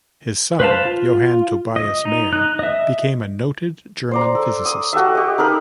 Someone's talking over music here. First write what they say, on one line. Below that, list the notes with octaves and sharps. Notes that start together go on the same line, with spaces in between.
His son Johann Tobias Mayer became a noted German physicist.
B4 C5 F5 A5
F4
D#5
D#4
D#4 F#6
D#5 E5
C5 D5 A#5
A4
D#6
F#4 G4 A4 E5
G4 D#5
D#4 A4 A#4 B5